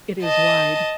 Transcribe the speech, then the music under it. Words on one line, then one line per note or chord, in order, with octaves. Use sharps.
It is wide.
D#5 A5